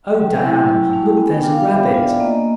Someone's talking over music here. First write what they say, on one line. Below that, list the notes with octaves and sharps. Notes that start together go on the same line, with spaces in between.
Oh, Diana, look, there's a rabbit.
F#3 G5
G#5
A3 C#4 E4
G5
F#3
A3 C#4 E4
B3 G#5
G5
D4 F4
F5
B3 E5
F5
D4 F4
D5
A#3 D#5